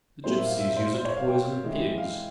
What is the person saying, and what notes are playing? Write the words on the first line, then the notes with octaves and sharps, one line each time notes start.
"The gipsies use it to poison pigs."
A#2 G3 A#3 C#4 E4 C5
E5
F5
E5
C5
C5
C#5
F5
G5
E3 G#3 C#4 E4
F5